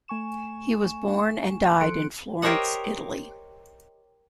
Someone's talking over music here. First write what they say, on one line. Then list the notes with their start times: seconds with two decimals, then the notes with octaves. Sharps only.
He was born and died in Florence, Italy.
0.08 A3 G#5 C#6 E7
1.81 F3 A4 C6 F#6 C#7 D7
2.42 G4 A#4 C5 C#5 D#5 F#5